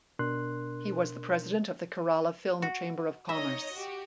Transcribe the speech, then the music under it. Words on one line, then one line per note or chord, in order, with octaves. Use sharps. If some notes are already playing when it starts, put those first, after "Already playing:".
He was the president of the Kerala Film Chamber of Commerce.
B2 D4 A#4 C6 F#6
F#4
D#4 C#5 D#5 E5
F#4 G4